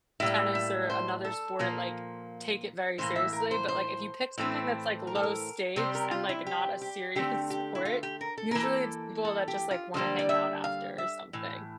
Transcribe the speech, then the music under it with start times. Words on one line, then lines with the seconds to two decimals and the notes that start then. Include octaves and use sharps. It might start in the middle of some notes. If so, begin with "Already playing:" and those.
tennis or another sport, like, take it very seriously, but like, if you pick something that's, like, low stakes and, like, not a serious sport, usually it's people that just, like, wanna hang out after or something.
0.20 A2 G3 A#3 E5
0.55 E5
0.90 C5
1.25 A4
1.59 A#2 F3 A#3
2.98 A2 E3 A#3 C5
3.16 E5
3.33 A#4
3.51 C5
3.68 C5
4.38 A2 E3 A3 C4
5.07 A#4
5.15 A4
5.23 A#4
5.76 C3 G3 C4 C5
5.95 A#4
6.11 F4
6.29 E4
6.46 G4
6.81 G4
7.15 D3 A3 C4 G4
7.50 G4
7.75 E4
7.85 F4
8.03 G4
8.21 A#4
8.38 A4
8.51 E3 A#3 A#4
8.63 A4
9.25 A4
9.48 G4
9.71 F4
9.94 D3 G3 A#3 C5
10.19 D5
10.29 E5
10.64 F5
10.98 E5
11.33 A2 E3